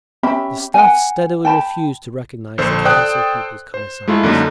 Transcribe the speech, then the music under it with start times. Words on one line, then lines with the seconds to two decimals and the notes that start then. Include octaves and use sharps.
The Staff steadily refused to recognise the Council of People's Commissars.
0.23 C#4 G4 E5 B5
0.74 F#5 G#5
1.45 G5 A5 B5
2.58 A#1 D3 A4 C5
2.85 A4 C5 D5 G5 D#6 F#6
3.74 C5
4.08 G#3 A3 E4 F4
4.23 F#2 D3 A#3 D#4